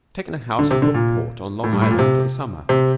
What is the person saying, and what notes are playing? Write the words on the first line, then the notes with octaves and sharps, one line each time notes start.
I've taken a house at Brookport, on Long Island, for the summer.
D3
C3
D3
A#2
A2
G2
A2
A#2
C3
C3